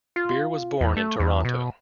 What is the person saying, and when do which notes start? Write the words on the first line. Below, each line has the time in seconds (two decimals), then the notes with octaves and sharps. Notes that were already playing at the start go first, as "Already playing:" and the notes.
Beer was born in Toronto.
0.16 F4
0.81 E2
0.97 A3
1.20 E2
1.45 B2